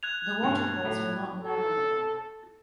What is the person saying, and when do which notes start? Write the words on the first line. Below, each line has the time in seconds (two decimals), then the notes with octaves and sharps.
The waterfalls are not navigable.
0.03 F#6 G#6 F7
0.42 G2 B2
0.85 A2
1.40 A4